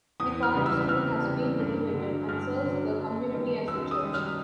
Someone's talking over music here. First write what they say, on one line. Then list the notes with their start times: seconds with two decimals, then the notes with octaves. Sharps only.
The former school has been renovated and serves the community as a church.
0.20 E2 D#6
0.43 F6
0.54 C#3 E3 G3
0.66 E6
0.89 E2 F6
1.24 C#3 E3 G3
1.59 G2
1.94 D3 F#3
2.28 G2 F6
2.63 D3 F#3
2.98 F#2
3.33 D#3 G3
3.68 F#2 E6
3.91 D#6
4.03 D#3 G3
4.14 F6